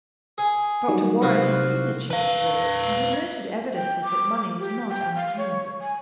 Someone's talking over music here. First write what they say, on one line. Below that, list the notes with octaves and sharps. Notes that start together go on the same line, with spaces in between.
Dr. Warren had seen the change wrought, and had noted evidences that money was not unobtainable.
G#4
D#3 F#3 G3
C2 F4 F#4
B4 F5
G5
D6
G4
G5
F5
C#5
G#5